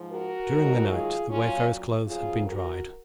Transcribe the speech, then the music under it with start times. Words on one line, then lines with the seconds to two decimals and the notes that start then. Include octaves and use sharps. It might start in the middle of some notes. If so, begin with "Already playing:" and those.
During the night the wayfarer's clothes had been dried.
Already playing: G#2 F3
0.11 F#4 A#4
0.50 G#2 D#3 F#3
0.89 F4 G#4
1.28 A#2 F#3 C#4 F4
2.06 F2 C#3 F#3 F4 G#4
2.45 F#4 A#4